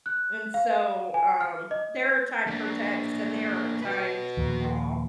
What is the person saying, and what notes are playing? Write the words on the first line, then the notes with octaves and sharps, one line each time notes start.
And so, um, there are time for texts and there are time to call.
F#6
F5
G#5
F6
D#5
A#3 D4
F#4 B4
D#2 A#2 F3